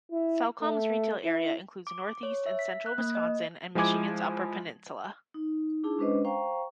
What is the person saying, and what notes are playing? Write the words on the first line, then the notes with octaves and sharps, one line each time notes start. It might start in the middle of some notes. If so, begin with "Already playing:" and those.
Cellcom's retail area includes northeast and central Wisconsin and Michigan's Upper Peninsula.
E4
A3
E4
D6
C#5
E5
B6
F#6
A#3
D#5
F3 G#3 E4 G#5 D6 G#6
D#4
D4 E4 G#4 A5
G#3 C#4 D4 B4 C5 D#5
C5 F5 G5 A#5 C#6